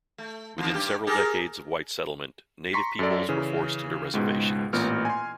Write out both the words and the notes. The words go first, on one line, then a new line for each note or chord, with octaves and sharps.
Within several decades of white settlement, native peoples were forced into reservations.
A3
E2 D#3
G2 G4
G4 G#4 A#4
A#5 C6 C#6 B6 C7
F#2 A4 D5
C#3 E3 C#4
C#2 G#2 B2
A1 A#2 B3 F6
G#5 C6